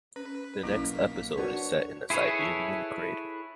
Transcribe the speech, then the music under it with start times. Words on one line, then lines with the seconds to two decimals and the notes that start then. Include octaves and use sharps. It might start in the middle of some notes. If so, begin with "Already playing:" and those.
The next episode is set in a Siberian crater.
0.16 C#4 B4
0.63 B1 F#3 A#3 C#4 E4 B6
1.38 D4 F#4 A#4 B4 C#5 F#5
2.10 E4 G#4 A4 B4 C#5